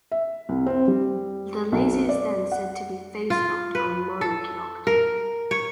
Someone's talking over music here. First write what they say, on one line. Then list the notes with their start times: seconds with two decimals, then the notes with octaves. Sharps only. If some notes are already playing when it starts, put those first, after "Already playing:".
The laser is then said to be 'phase-locked' or 'mode-locked'.
0.12 E5
0.49 C2
0.66 C4
0.88 G3
1.72 B1
2.09 D5
2.52 F#5
3.30 F4
3.75 B4
4.21 A4
4.87 A#4
5.51 C#5